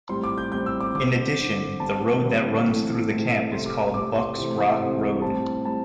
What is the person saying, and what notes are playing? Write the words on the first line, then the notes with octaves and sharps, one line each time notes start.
In addition, the road that runs through the camp is called Buck's Rock Road.
A2 G3 C4 C6
D6
G6
A2 G3 C4 G6
E6
D6
D3 C4 D6
D3 C4
D3 G3 C4 A5
D3 G3 C4
A2 E3 A3 C4
A2 E3 A3 C4
C3 A3 C4 C6
D6
C3 A3 C4 D6
C6
C3 E3 A3 C4
C3 E3 A3 C4
A2 G3 C4 A5
A2 G3 C4 A5